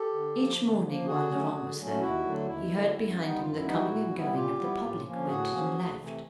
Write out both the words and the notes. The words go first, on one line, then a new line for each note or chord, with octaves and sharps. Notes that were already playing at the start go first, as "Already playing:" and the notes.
Each morning, while Laurent was there, he heard behind him the coming and going of the public who entered and left.
Already playing: G4 A4
D3
F3 A#3
D3
F3 A#3
D3 F#4 G#4
F#3 A3 C#4
D3
F#3 A3 C#4
D#2 E4 F#4
D3 F#3 A3
D#2 E4
D3 F#3 A3
F#2
D#3 G3 B3 D#4
F#2 F4
E4
D#3 G3 B3 D#4
E4 F#4
A#2
G3 B3 E4
A#2 F4 G4
G3 B3 E4
A2
F3 A#3 C#4
A2 F#4 G#4
F3 A#3 C#4
D2
C3 E3 A3